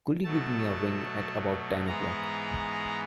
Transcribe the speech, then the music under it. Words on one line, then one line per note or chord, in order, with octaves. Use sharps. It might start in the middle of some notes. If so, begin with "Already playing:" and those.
Could you give me a ring at about ten o'clock?
B2 F#3 A3 A5
G#2 E3 G#3 B3 A#5